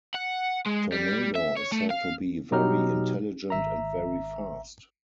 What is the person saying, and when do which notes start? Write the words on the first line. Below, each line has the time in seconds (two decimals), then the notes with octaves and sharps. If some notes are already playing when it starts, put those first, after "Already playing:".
Tornado is said to be very intelligent and very fast.
0.14 F#5
0.66 G#3
0.92 G3
1.35 E5
1.57 C#5
1.72 A3
1.90 F5
2.51 B2 F#3 D#4 G4 A#5 F6
3.50 G#1 E5 A#5